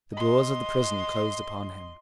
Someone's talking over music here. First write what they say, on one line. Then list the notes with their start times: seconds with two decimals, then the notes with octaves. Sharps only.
The doors of the prison closed upon him.
0.13 D#5 C6